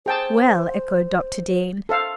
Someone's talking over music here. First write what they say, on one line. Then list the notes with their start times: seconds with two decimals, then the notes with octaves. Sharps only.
"Well," echoed Dr. Dean.
0.06 G#4 C5 G5 A5
1.89 A4 C5 F5